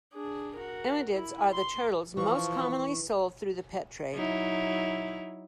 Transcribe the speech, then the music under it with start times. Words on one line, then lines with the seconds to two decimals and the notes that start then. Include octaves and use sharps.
Emydids are the turtles most commonly sold through the pet trade.
0.13 D4 G#4
0.55 F#4 A#4
1.12 E4
1.53 C6
2.17 E3 F3 C#6
4.14 F#3 D#4 E4